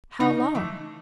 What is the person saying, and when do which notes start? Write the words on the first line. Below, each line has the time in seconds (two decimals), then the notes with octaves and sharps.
"How long?"
0.20 C#3 D#4
0.55 E3 A3